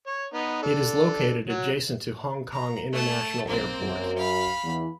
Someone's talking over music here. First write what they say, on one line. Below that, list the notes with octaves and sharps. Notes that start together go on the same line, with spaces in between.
It is located adjacent to Hong Kong International Airport.
C#5
B3 D#4
D4 A4
F#3
A#5
A3 A5
B1 A#3 C4
F#2
F5 B5
E2